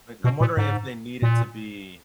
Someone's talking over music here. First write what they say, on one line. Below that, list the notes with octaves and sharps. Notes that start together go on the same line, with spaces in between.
I I'm wondering if they need it to be
B2
A#2
G#2
A#2